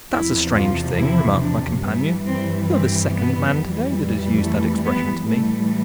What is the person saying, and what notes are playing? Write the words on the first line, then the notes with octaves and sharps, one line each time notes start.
"That's a strange thing," remarked my companion; "you are the second man to-day that has used that expression to me."
E2 C3 F3 E4
F4
E4
D4
G2 E3 G3 B3
C4
C4
B3
F2 E3 G3
A3
B3
A2 E3 G3 A3